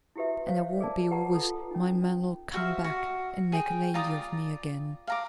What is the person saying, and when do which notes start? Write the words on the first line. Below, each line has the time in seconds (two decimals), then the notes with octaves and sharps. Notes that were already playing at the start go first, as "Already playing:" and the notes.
And I won't be always; my man'll come back and make a lady of me again.
0.16 E4 F#4 G4 B4 E5
0.47 C5 C#5 F5
0.80 G#4 A#4 D5 A5
1.11 G4 B4 F#5 A5 A#5
1.34 F4 A4
1.71 C#4 D#4
2.54 F#4 C5 E5 F5
2.84 F#4
3.52 G#4 G5
3.94 F4 D5 A#5 D#6
5.07 F5 A#5 D6